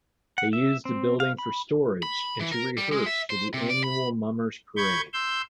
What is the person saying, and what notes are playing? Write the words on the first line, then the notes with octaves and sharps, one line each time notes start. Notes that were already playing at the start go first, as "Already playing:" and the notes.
They used the building for storage and to rehearse for the annual Mummers Parade.
F#5
E5
C4
F5
B5
B5
E3
A#4
G3
G#3
E5
C5
C3
D5
B5
B5 C#6 G6 G#6
C6 E6 G6